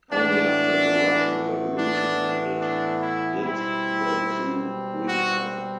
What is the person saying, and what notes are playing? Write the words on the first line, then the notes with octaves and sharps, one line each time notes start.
Only after the Russian Revolution ended did the zoo recover.
A2 E3 B3 D4
D4
D4
E4
B2 G3 C4 E4
F#4